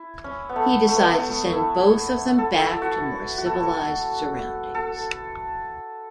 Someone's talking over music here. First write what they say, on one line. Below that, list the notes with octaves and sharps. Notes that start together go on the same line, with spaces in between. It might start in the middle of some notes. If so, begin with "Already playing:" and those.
He decides to send both of them back to more civilized surroundings.
Already playing: E4
C#4
B3
A3
A3
B3
A3
B3
A3
E4
A4
E4
A4
F#4
F#4
A4
A4